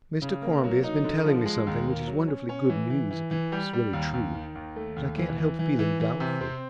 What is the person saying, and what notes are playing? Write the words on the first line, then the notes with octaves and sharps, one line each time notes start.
'Mr Quarmby has been telling me something which is wonderfully good news if it's really true; but I can't help feeling doubtful.
C#3
A#3
F#3
D#4
D3
F3
G#3
D#2
A#3
F#3
C#4
C#4
E3
E3
E3
E3
G3
G3
D#2
D#2
D#3
D#2
A3
D#2
E3
E3
E3
E3
E3
C3
C4